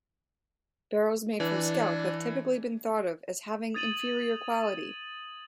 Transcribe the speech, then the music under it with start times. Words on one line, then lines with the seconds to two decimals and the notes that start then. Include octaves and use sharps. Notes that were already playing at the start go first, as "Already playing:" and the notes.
Barrels made from skelp have typically been thought of as having inferior quality.
1.40 E3 D4
3.74 D#6 G#6 A6 D#7 F7 F#7